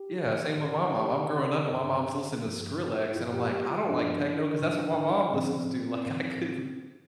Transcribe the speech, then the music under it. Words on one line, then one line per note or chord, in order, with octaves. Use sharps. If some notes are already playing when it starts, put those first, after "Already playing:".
i yeah, same with my mom, I'm growing up and my mom's listening to Skrillex, and I'm like, "I don't like techno 'cause that's what my mom listens to," like, I couldn't
Already playing: G4
A2 E3
A2 E3 G4
G2 F3
G2 F3
E4
G2 F3 F4
G4
G4
F4
G2 F3 D4
A2 F3
A2 F3 C4
A2 F3